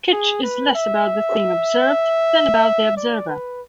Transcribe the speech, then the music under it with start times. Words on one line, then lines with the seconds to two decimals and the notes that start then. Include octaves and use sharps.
Kitsch is less about the thing observed than about the observer.
0.13 G#4
0.43 B4
0.75 E5
2.97 D5
3.28 B4